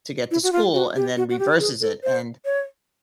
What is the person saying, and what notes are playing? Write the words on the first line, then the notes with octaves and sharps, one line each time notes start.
to get to school and then reverses it and
E4
F#4
F4
F#4
G4
F#4
F#4
G4
G#4
A4
C5
C#5